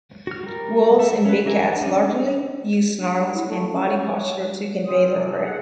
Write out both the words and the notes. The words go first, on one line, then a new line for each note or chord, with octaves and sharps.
Wolves and big cats largely use snarls and body posture to convey their threat.
F#4 F6
G3 A#4
A3 E5
C#4 B4
E3 D4 A#4 E5 G#5
G3 C#4 D4 D#5
D4
G3
E4
A3
C#4
C#5
G2 C4 C#4 D#6
A2 C3 F#3
G#4 F#5